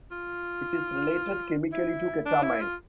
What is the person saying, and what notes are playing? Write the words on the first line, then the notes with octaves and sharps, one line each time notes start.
It is related chemically to ketamine.
F4
E4
D4
E4
F4